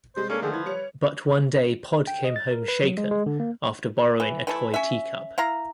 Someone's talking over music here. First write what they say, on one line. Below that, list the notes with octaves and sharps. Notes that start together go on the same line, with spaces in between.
But one day Pod came home shaken after borrowing a toy tea cup.
C3 G3 G#3 C5
A#3 C#4 D4 A4
D3 D#3 F3 A3 G#4
E4 B4 G#6
G3 C#5 C#7 F7
G5
D#5
A6
A#4
B4
F#3
G#3
G#3
D3
A#3
E3
E3 A3 E4
C#4 E5
E4 F5 A#5